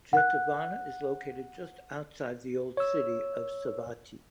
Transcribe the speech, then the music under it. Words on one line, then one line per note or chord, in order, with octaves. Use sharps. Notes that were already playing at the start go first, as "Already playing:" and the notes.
Jetavana is located just outside the old city of Savatthi.
F#5 F#6
C#5 E6